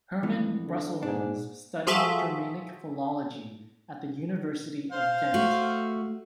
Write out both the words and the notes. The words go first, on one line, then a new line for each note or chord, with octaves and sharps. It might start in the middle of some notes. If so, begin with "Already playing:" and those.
Herman Brusselmans studied Germanic philology at the University of Ghent.
F2 E3 B3
D3
G#2 D4
F3 F4 F#4 G#4 A4 E5
C5 F5
A3 F#4